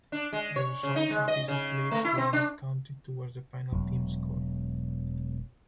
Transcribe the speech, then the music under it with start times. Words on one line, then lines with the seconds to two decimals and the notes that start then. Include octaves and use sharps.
The results of these athletes were not counted towards the final team score.
0.12 D4
0.33 G#3
0.56 C#5
0.83 C#3
0.96 D#4
1.11 G#3
1.28 D#5
1.48 C#3
1.92 A3
2.05 E4
2.18 C4
2.33 D4
3.72 E1 F#3